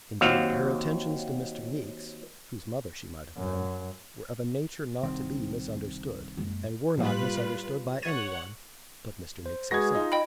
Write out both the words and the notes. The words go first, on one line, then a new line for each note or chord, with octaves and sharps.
Indeed, her attentions to Mr. Meeks, whose mother she might have been, were of a nature not to be misunderstood, and were not misunderstood by anyone but Mr. Meeks himself.
D#2 F#3 C4 F5 F#5
F#2
C2 D#3 C4
F#1 G#3
A2 F3 G3 A#3 F4 B4
C#5 F#5 G#6 A6 D#7
C5
G#3 F#4 G#4 B4 G#6 A#6
D#4 F4
D#5 G5 B5